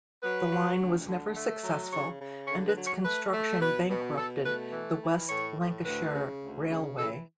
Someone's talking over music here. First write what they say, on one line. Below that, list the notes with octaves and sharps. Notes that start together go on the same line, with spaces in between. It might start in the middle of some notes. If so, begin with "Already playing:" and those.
The line was never successful and its construction bankrupted the West Lancashire Railway.
F#3 B4
F#3
D2
D3
A3
F#3
C#3 C#5
C#3
D3 C#5
B4
F#3
C#5
A3 B4
A3
B2 B4
B2
B2 A4
A3 B4
E3
E3
A2 C#5
A2
D2 B4
C#3
D2
C#3
E3 A4